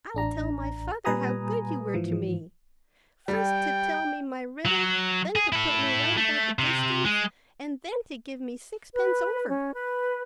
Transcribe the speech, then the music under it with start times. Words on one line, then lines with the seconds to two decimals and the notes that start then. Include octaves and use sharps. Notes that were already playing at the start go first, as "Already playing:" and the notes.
I'll tell my father how good you were to me--first to tell me my riddle, then to put me right about the distance, and then to give me sixpence over.
0.15 A1 D4 A#5
1.05 A#2 G3 B4 G#5 A#5 D#6
1.94 G#2 E3 F3
3.28 G3 G5
4.65 F#3
5.36 G#4
5.53 E4 A4
6.17 A3
6.59 C3
7.05 G#3
8.94 B4
9.48 C#4
9.74 B4